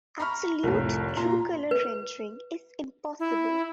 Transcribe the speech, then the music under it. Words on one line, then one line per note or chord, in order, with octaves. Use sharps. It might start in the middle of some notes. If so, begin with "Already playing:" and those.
Absolute true-color rendering is impossible.
A#5 B5 C#6 F6
C2 F2 A2
A#2 F4 A#5 C6
B4
E4